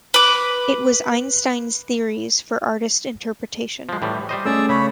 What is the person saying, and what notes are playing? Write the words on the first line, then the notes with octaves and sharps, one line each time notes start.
It was Einstein theories for artist interpretation.
B4 D6
F3 G#3
A2 E3 G3
G3 C5 D#5
A3 C#4 G#4 D5 E6
C#3 C#5 B5